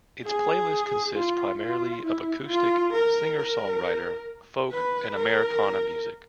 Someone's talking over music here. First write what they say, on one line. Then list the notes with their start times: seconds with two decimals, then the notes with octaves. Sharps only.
Its playlist consists primarily of acoustic, singer-songwriter, folk and Americana music.
0.25 G#4
1.14 F4
1.59 F4
2.03 E4
2.48 F4
2.93 A#4
3.37 A#4
4.71 B4
5.15 A#4